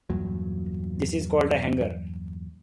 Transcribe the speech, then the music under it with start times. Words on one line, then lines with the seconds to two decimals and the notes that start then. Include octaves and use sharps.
This is called a hanger.
0.10 E2 G2 A#2 F#3